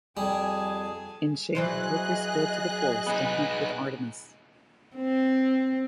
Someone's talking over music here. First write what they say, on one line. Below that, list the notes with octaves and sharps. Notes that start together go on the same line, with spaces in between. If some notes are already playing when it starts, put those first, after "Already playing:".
In shame Procris fled to the forest, to hunt with Artemis.
F2 G3 G#4 G#5 A5
E3 F#3 G#4 C5 D#5 F#6
B3 D#4
C4